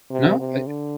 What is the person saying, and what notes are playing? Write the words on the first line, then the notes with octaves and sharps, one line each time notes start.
No, uh
C3
C3
D3